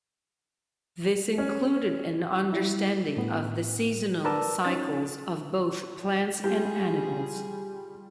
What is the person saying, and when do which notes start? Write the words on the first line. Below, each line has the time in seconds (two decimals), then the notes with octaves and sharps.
This included an understanding of the seasonal cycles of both plants and animals.
1.38 C#4
2.53 G3 E4
3.17 A2 B3
4.25 A#4 B4 D5 A5 E6
4.65 C#4 D#4 A6
6.44 G3 F4 G4 G#4